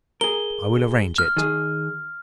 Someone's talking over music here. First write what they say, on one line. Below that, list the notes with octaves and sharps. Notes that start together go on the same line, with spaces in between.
'I will arrange it.
G#4 A#4 G7
F6
D#3 G#4